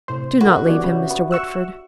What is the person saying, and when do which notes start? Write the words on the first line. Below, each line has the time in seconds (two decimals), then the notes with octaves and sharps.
"Do not leave him, Mr. Whitford."
0.08 A2 C3 C5 C6
0.41 D2 A3 F4 F#4 A#4 F#5 B5
0.66 D#3 E3 B3 D4 G4 D5 D6
0.84 C#3 C#5 E5 B5
1.11 B3
1.31 C#6 E6 F#6